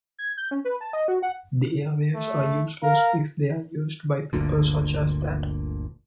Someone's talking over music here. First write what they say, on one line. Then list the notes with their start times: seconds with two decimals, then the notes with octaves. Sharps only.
The airwaves are useless if they are used by people such as that.
0.18 G#6
0.37 G6
0.51 C#4
0.65 B4
0.81 A5
0.93 D#5
1.08 F#4
1.22 F#5
2.15 A3
2.83 A#4 F5
4.33 G1 D2 A#2 D3